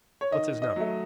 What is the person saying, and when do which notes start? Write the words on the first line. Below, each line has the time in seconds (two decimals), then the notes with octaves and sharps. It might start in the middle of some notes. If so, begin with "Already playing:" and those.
What's his number?
0.21 C#5
0.31 D#3 D#5
0.62 D#5
0.76 F#3 A3